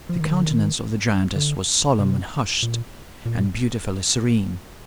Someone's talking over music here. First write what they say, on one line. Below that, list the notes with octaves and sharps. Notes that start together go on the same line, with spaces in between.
The countenance of the giantess was solemn and hushed, and beautifully serene.
F3
D#3
D3
D#3
D3
C3
A#2
A#2